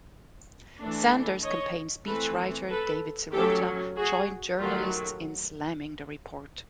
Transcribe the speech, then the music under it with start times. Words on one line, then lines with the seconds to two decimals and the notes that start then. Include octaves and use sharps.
Sanders campaign speechwriter David Sirota joined journalists in slamming the report.
0.80 E3 A3 D4
1.43 C#5 D#5
2.06 E3 A3 C4 A4 B4
2.69 A4 B4
3.32 F#3 A3 C#4 G4 A4
3.96 F#4 G#4
4.59 D#3 F#3 A3 F4 G4